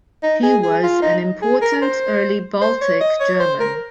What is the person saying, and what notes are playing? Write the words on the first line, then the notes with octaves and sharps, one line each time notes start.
He was an important early Baltic German.
D#4
G#4
G#4
F4
D#4
G#4
A#4
C5
C5
C#5
D#5
C#5
C5
A#4